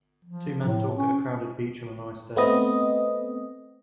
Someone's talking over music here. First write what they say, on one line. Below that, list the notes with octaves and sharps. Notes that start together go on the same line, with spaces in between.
Two men talk at a crowded beach on a nice day.
F3
A2
C#4
A3 B3 C4 D#5